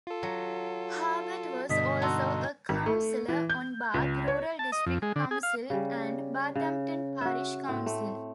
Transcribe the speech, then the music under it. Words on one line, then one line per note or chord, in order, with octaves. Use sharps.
Harbutt was also a councillor on Bath rural district council and Bathampton parish council.
F4 A4
F#3
G2 B2 D3 D#5 D#6 B6
D#4 F#4 A5 C6 E6
G#1
A3
E3
G6
C#2
C#5
A5
D#5
F2
G#3
D3
G#4
F5
C#3 G3
C#3
F#4 E5
A2 C4
A3